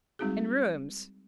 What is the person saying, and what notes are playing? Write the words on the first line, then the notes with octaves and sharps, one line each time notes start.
"In rooms?"
G3 G#3 C4 D#4 F#4 G#4